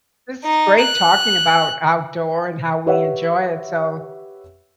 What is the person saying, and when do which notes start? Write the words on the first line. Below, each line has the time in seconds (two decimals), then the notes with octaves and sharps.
this is great talking about outdoor and how we enjoy it, so
0.45 D#4
0.82 F#6
2.86 G4 B4 C#5 E5 F#5